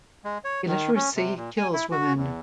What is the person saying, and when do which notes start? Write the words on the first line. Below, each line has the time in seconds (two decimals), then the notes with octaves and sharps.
Illiteracy kills women.
0.25 G#3
0.44 C#5
0.68 D#3
0.95 C#4
1.16 C3
1.36 A#2
1.58 G#5
1.73 E4
1.92 F#4
2.17 E2